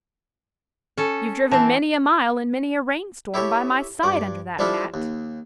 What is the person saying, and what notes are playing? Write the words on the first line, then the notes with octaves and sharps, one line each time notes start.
You've driven many a mile in many a rainstorm by my side under that hat!
C#4 A4
E3 C4 A5
E4 G4 A4 C#5 C#6
G2 D5
F3 G3 D4 E4 F4 A4
D#2